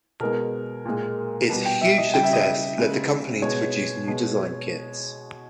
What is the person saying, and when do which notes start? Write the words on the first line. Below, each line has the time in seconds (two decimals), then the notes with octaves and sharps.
Its huge success led the company to produce new kit designs.
0.20 B2 G#3 A#4
0.85 A#2 G#3
1.49 B2 G3 B4
1.65 G5
1.81 E5
1.98 D#5
2.13 C#3 G3 G5
2.23 E5
2.33 D#5
2.41 E5
2.78 C#3 G#3
3.42 B2 G#3 C#5
4.07 B2 G#3